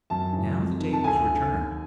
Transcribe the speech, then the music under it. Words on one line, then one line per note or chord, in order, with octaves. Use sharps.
Now the tables were turned.
F#2 A5
C#3 E3
F2
C3 D#3
A5
D2 G#5
D3
D#2